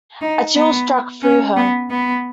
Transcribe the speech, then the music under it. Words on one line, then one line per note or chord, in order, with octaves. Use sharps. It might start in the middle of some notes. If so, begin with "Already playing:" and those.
A chill struck through her.
D#4
B3
C#4
B3
B3